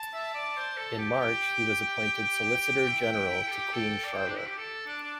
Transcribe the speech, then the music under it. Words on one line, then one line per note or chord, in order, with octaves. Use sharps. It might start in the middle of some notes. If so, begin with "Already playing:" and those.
In March, he was appointed Solicitor-General to Queen Charlotte.
Already playing: A5
E5
D5
C5
A4
G4
G5
E4
E4
E4
A4
G4
A4
D5
C5
D4
E4
G4
A4 A5
D4
D4